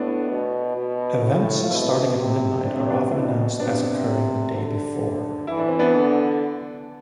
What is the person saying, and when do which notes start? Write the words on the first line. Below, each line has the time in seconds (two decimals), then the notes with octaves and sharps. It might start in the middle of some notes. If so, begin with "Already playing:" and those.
Events starting at midnight are often announced as occurring the day before.
Already playing: A2 B3 D4
0.29 B2
0.76 B2
1.23 A2
1.63 F4
1.70 B2 C4 E4
2.17 C3
2.65 C3 D4
2.77 C4
2.89 B3 D4
3.06 D4
3.12 B2 C4 E4
3.59 C3 B3 D4
4.54 D3
5.47 E3 E4
5.59 D4
5.68 C4
5.79 B3 D4
5.95 D3